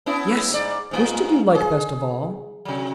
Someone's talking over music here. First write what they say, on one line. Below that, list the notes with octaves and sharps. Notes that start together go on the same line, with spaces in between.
"Yes! which did you like best of all?"
B3 C#4 E4
G#2 D5
G#2 A3 F4
G#4
C3 F#3